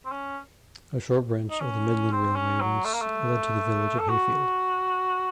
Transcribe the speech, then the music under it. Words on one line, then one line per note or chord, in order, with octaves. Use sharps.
A short branch of the Midland Railway once led to the village of Hayfield.
C4
C#4
D#4
C#4
C4
C#4
F#3
A3
A#3
A3
A4
F#4